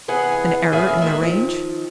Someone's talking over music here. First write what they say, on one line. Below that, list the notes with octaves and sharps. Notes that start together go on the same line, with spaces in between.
An error in the range?
C3 E3 B3 G#4 F#5
A2 C#3 B3 G#4 E5 F5
D2 G#3 A#3 E5
D#3 F3